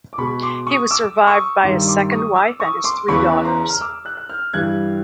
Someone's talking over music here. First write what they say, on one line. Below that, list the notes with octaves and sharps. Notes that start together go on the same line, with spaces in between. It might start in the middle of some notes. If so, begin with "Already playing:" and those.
He was survived by his second wife, and his three daughters.
D6
B2 G#3 B5 C#6
C6 D6
C#6 D#6
D6 E6
C#6 D#6
G2 D#3 G3 C6 D6
C6 D6
C#6 D#6
D6 E6
C#6 D#6
C6 D6
E2 C#3 E3 B5 C#6
A#5 C6
F6
D6 E6
E6 F#6
F#6
F6 G6
G2 E3 G3 F#6 G#6